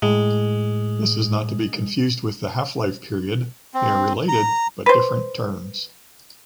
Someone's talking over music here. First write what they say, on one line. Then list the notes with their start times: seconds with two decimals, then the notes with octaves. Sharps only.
This is not to be confused with the half-life period; they are related but different terms.
0.02 A2 G#3
3.74 C4
4.28 A#5
4.86 B4 C5